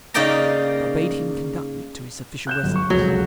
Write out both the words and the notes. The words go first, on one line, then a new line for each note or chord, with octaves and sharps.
I bade him conduct me to his official residence.
C#3 A#3 D#4 D5 G5 A#5
F#6 G6 E7
G1 F#2
C#6
F1 C#2 F#3